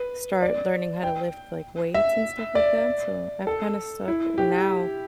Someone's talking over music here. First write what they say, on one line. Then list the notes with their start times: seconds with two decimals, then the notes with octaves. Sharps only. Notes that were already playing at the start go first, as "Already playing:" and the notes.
start learning how to lift, like, weights and stuff like that, so, I've kinda stuck now,
Already playing: B4
0.42 D5
1.03 G5
1.94 E5
2.55 D5
3.47 A4
4.08 E4
4.38 G4